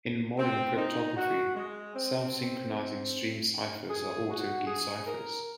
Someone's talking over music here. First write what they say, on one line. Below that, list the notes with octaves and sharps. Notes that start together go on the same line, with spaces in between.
In modern cryptography, self-synchronizing stream ciphers are autokey ciphers.
C4
D#4
F#4
G#3
C4
G#4
F#4
G#4
A#4